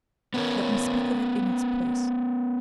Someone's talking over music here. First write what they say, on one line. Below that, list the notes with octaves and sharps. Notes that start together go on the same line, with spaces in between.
Let me speak of it in its place.
B3 C#4 F4 A#4 C#5